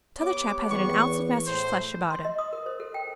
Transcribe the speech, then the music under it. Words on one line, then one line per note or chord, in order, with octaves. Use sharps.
T'other chap hasn't an ounce of measter's flesh about him.
B3 G4 C#5 D6
E2 C#6
A2 C5
C6
D#5
D#6
A#4
C5
A4
G5